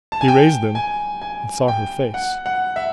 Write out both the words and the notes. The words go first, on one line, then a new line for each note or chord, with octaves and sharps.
He raised them, and saw her face.
A5
G#5
G5
G#5
G#5
G5
F#5
F#5
E5